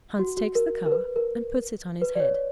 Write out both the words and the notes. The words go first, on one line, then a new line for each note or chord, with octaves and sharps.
Hans takes the calf, and puts it on his head.
F#4
F#4
A#4
A#4
B4
A#4
B4
D5
C#5